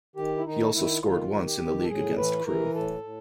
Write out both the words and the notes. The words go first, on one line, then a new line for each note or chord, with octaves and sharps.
He also scored once in the league against Crewe.
D#3 G4
E4
D#3 D#4
D#3 E4
D#3 F4
D#3
G4
D#3
A4
A2 G#4
E3 B4
E3 A#4
A2 A4
A2